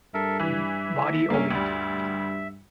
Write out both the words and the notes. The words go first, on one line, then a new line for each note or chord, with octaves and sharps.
Body ovate.
G2 A4 A#4 E5
E3 E5
G2 A#3 C#4
D2 G3